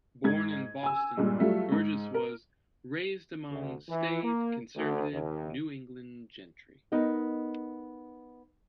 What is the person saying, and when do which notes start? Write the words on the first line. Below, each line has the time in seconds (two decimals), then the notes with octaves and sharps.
Born in Boston, Burgess was "raised among staid, conservative New England gentry".
0.24 G#2 G#6
0.83 G#5 E6
1.17 G2 A#2 G#3
1.40 F#3 G3 A3 F4
1.72 G#2
2.14 A#4
3.51 D2
3.89 E3
4.23 A#3
4.76 D2
5.12 D#2
6.92 B3 D#4 A#4 D#5